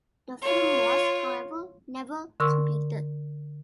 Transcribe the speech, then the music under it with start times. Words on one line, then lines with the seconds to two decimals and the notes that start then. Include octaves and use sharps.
The film was, however, never completed.
0.42 F4 C#5
2.40 D3 A#4 C6 C#6 E6